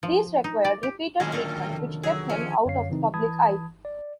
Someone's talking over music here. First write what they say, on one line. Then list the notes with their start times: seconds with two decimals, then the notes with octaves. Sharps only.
These required repeated treatment which kept him out of the public eye.
0.03 F3
0.44 D#4
0.65 D5
0.83 G4
1.20 A2 D#3 F#3 G#3 C#4 D4 G#4
1.32 D3 A#3 A4
1.71 F1
2.03 F#3 G#4
2.29 F3 C#4 G#4 E5
2.66 F#2 D3 C#5 F5 C7
2.89 C#3 E3 C4 D#4
3.14 E3 A5 B5 D#6 G#6
3.85 D5